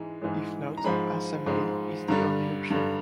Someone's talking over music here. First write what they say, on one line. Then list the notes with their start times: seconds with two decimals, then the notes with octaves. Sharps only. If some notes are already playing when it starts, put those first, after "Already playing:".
If not, assembly is the only option.
Already playing: G#2 E3 G#3
0.22 G#2 E3 G#3
0.77 A#5
0.84 G#2 F3 G#3 B5
1.46 G#2 F3 G#3
2.08 G2 D3 G3 A#5
2.70 G2 D3 G3